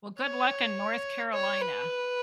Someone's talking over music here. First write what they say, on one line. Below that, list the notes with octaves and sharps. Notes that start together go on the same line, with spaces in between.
Well, good luck in North Carolina.
C#5
C#5
B4